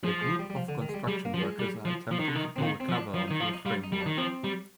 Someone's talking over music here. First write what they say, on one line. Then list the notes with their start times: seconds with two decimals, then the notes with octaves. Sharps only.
A group of construction workers are attempting to pull a cover onto a framework.
0.04 F3 G#3
0.21 G#3
0.39 G3
0.50 G3
0.56 F3
0.68 D3
0.82 D#3
0.89 G#3
0.94 G3
1.07 G3 G#3
1.25 A#3
1.34 F3
1.42 G#3
1.59 G3
1.85 F3
2.11 F3
2.19 D#3
2.28 D3
2.35 D#3
2.56 D3 C4
2.62 D#3 A#3
2.80 C4
2.89 F3
2.98 D4
3.14 F3
3.28 D#4
3.31 D#3
3.40 F3 F4
3.53 D#4
3.66 G3 F4
3.83 D#4
3.92 G3
4.01 D4
4.06 D#3
4.17 F3 C4
4.44 G3